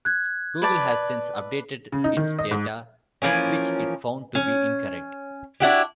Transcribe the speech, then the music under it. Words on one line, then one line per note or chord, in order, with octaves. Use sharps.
Google has since updated its data which it found to be incorrect.
F#6 G#6
B4 D5 A5
C#3
D#4
D#3
D#5
G#2
E3 F3 A#3 C#4
C#4
D4 E4 F#4 G4